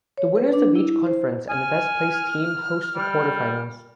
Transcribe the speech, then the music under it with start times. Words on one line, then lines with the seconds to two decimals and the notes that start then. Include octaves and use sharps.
The winners of each conference and the best placed team host the quarterfinals.
0.17 C#5
0.35 B4
0.53 D4
0.75 E4
1.07 C5
1.49 G#5 F6
2.96 G3